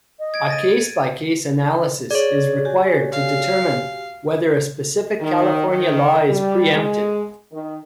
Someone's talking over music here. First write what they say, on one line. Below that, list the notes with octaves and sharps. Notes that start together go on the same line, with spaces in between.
A case-by-case analysis is required to determine whether a specific California law is preempted.
D#5
G#6 D7
A6 A#6 D#7
G#4 C#5 D5
F#4 G4 G#5
F5
D#3
D#3
G3
G#3
D#3